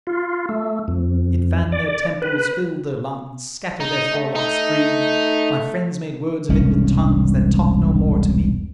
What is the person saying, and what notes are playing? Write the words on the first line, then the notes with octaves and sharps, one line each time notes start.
It fanned their temples, filled their lungs, Scattered their forelocks free; My friends made words of it with tongues That talk no more to me.
F4
A3
F2
D5
B4
D#4
A3
D#4
E1 C2 G#2 C#4